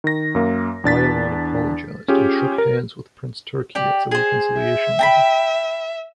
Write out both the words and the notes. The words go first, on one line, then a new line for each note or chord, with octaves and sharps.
Ayalon apologized and shook hands with Prince Turki as a reconciliation measure.
D#3 A#6
F#2 A#3
E2 D4 A6 B6
C#4 F4 G4 G#4
A#4
G4 D5
G#4 C5
E5
G5 A#5 B5